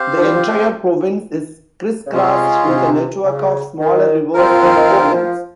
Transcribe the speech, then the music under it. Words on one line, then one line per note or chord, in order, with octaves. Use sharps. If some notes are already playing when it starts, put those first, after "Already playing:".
The entire province is criss-crossed with a network of smaller rivers and canals.
Already playing: C4 G4 C5 F5
F3
G3
F3
C#3
C3 G#3 C#4 F4 G#4
C3
C#3
D#3
F3 C4 F4 A#4
F3
F3
D#3
G3
F3
D#3
F3